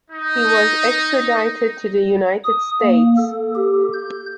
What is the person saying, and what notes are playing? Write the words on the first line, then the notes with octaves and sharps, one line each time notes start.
He was extradited to the United States.
D#4
D#6
A#3
A4
G4
G6